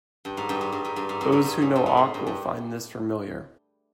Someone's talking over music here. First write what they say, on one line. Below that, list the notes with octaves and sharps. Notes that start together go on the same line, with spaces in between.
Those who know awk will find this familiar.
G2
G#2
G2
G#2
G2
G#2
G2
G#2
G2
G#2
G2
G#2
G2
G#2
A2
G2
G2